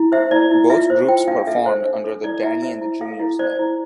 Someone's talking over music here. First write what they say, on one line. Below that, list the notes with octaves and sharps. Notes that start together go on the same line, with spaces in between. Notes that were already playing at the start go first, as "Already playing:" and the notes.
Both groups performed under the "Danny and the Juniors" name.
Already playing: E4
C5 E5
E4 D5
E4
F4 E5
C5
F4 G5
D4 F5
A4 E5
C5
D4
A4
E4 D5
E4 E5
C5 E5
E4
A4 F5
E4
C5 D5
E4